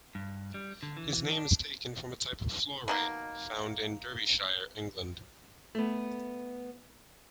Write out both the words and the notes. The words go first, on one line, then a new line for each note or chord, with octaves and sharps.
His name is taken from a type of fluorite found in Derbyshire, England.
G2
G3
D3
E3
D4
B2 D#3 A#3
A3 B3